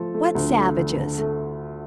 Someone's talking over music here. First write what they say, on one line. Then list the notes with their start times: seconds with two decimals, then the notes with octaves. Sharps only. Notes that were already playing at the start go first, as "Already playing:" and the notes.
"What savages?"
Already playing: F3 A3 A4
0.14 A3
0.35 D2
0.57 A3
0.76 D3
0.97 D3
1.18 A3